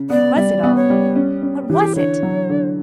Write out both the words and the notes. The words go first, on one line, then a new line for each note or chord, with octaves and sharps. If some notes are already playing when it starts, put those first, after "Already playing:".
What was it all--what was it?
Already playing: C#3
B3 D5
G3 D5
B3
C#5
G3
C#4
C#4
E3 G4
D3 C#5
F#3
D3